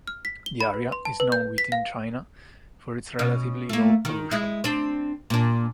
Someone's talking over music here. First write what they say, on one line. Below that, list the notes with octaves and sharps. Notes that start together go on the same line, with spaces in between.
The area is known within China for its relatively low pollution.
F6
B6
G7
B5
B4
C6
A5
B4
G6
B6
F5
B2 C#4
A3 A#3
D#3
G#3 E4
C4 D4
A#2 D4